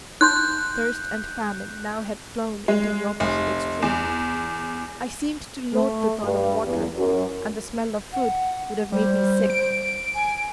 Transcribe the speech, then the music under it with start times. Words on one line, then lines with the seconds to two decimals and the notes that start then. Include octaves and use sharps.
Thirst and famine now had flown into the opposite extreme; I seemed to loathe the thought of water, and the smell of food would have made me sick.
0.21 D#4 C6 F#6 G6
2.68 G#3
3.20 F1
3.82 E2
5.73 A3
6.23 G2
6.64 E2
6.97 F#2
8.12 F#5
8.92 G3 C5
9.50 D7
10.14 G#5